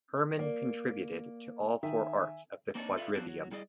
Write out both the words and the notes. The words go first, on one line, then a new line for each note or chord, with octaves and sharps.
Hermann contributed to all four arts of the quadrivium.
A#3 D5
D#3 E5 G#5
A#3 C4 D4 D#4 C#5 D5
F4 A4 B4 D5 E5 F5
F3 F#3 B3 C4 D4 F#4
F#3
G3 E4 G#4 D5 D#5